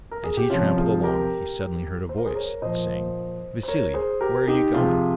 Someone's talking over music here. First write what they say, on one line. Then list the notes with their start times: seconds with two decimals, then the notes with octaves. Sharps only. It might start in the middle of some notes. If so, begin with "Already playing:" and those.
As he tramped along he suddenly heard a voice saying: 'Vassili! where are you going?'
0.11 A#4
0.24 G#4
0.37 G4
0.50 C3 F3 C#4 F4
0.76 F4 G#4
1.03 G4 A#4
2.09 C5
2.18 A#4
2.26 G#4 C5
2.35 A#4 C#5
2.62 A#2 F3 C5 D#5
3.63 C5
3.68 A#4 C#5
3.94 G#4 C5
4.21 G4 A#4
4.47 D#4 G4
4.74 C3 F3 F4 G#4